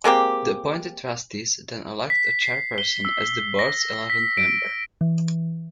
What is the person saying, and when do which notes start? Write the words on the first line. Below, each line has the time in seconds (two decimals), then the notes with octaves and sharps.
The appointed trustees then elect a chairperson as the Board's eleventh member.
0.04 G#3 A#3 C4 G4
2.10 B6
2.42 C7
2.78 G7
3.05 E6
3.59 A#6
4.10 B6
4.37 D7
5.01 E3